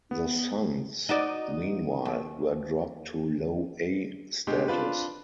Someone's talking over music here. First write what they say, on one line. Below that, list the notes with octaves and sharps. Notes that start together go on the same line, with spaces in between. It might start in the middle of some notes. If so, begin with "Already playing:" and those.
The Suns, meanwhile, were dropped to Low-A status.
B3
D#4 F#4 D5
D#2
B2 D3 G#3 G4
C4 D4 F4 B4